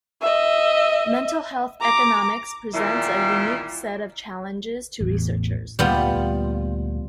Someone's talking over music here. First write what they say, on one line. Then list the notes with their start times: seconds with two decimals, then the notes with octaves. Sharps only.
Mental health economics presents a unique set of challenges to researchers.
0.22 D#5 E5
1.81 A#5 D6
2.73 E2 A#2 D#3 G3 E4
5.00 A1 E2
5.79 D2 A#2 G3 B3 F4